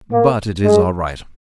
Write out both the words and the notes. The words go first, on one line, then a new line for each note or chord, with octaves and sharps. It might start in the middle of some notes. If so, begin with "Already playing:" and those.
But it is all right.
A#3
G#3